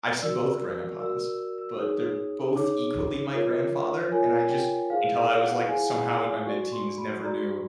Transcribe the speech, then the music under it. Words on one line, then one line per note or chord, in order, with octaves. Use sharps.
I see both grandpas, but they're both equally my grandfather, and I just until I was, like, somehow in my mid-teens, never knew
F#4 A#4 D5 E6
F#4 A#4 D5 E6
E6
E6
D#4 G#4 C#5 D#6
D#4 G#4 C#5 D6
F4 A#4 C#5
F4 A#4 C#5 G#5
G5
E4 G#4 C5 F5
F5
F#5
E4 G#4 C5 G#5
F#4 A4 D5 C#6
C6
B5
F#4 A4 D5 A#5